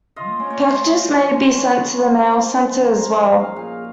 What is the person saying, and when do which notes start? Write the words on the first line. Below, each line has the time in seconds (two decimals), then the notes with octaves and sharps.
Packages may be sent to the mail center as well.
0.16 F4 D#5
0.40 C#4
0.50 C#5
0.62 F4
0.85 C#4 D#5
1.08 F3
1.30 F3
1.52 C#4 C#5
1.76 F3
1.98 F4
2.20 F3
2.43 F3
2.67 F3
2.88 F4 A#4
3.06 C#5
3.12 F4
3.23 D#5
3.34 A#2
3.40 F5
3.56 A#2 F5